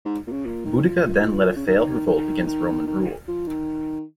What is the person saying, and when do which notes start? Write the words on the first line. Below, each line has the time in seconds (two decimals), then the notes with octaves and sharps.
Boudica then led a failed revolt against Roman rule.
0.05 G#2
0.27 A#2
0.32 C#3
0.45 A#2
0.65 D#3
0.86 F3
1.06 F3
1.56 C#3
1.66 D#3
2.06 D#3
2.47 D#3
2.87 D#3
3.28 F3
3.47 D#3